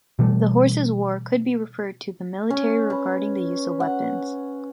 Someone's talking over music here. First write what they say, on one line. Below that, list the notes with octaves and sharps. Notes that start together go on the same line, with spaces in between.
The horses war could be referred to the military regarding the use of weapons.
B2 E3 G3 A3
C#4
B4
F#5